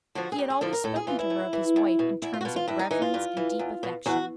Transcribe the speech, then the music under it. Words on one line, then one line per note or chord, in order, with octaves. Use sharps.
He had always spoken to her of his wife in terms of reverence and deep affection.
D3 F3 F#4
G#4
F2 G4
G#4
D3 F3 A4
A#4
A2 A4
G#4
E3 F4
E4
A2
E3
E2
B2
E2 E4
F4
F#4
B2 F4
F4
G2 E4
D#4
E3 D#4
F4
G2
E3
E2
B2
E2 F#4